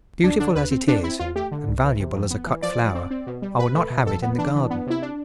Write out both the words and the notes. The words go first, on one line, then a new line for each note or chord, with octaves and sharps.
Beautiful as it is, and valuable as a cut flower, I will not have it in the garden.
D2 D4
D3 D4
D2 B4
C4
C4 D4
C4 E4
E2 F4
A3 G4
D3
C2
E3
C3
F2
B3
E3
F3 D5
F3
C4
C4
B2
G3
B2 B4
A3
B2
F2 A4
B3
E3 D4
E3
B3
C3 E4
D4